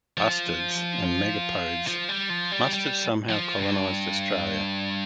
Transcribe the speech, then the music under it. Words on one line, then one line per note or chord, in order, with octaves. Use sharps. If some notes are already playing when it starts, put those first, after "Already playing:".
Bustards and megapodes must have somehow colonized Australia.
F3
F3
G3
F3
G3
G3
F3
G2